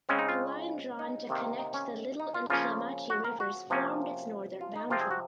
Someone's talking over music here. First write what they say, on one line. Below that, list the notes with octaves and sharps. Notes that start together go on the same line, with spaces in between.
A line drawn to connect the Little and Kiamichi rivers formed its northern boundary.
C#3 G#3 C4 C#4
D#4
F4
D#4
C3 D#3 A#3
D#4
C#4
D#4
F4
C#3 F3 A#3 C#4 F4
F#4
A#4
F#4
C3 F3 A#3 C#4
F4
D#4
C3 F3 C4 F4
G#4
F#4